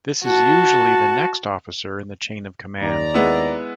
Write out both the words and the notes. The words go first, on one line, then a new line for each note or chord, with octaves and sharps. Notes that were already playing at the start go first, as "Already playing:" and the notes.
This is usually the next officer in the chain of command.
F#4 A5
D#2 D5 A#5
G#3 B3 E4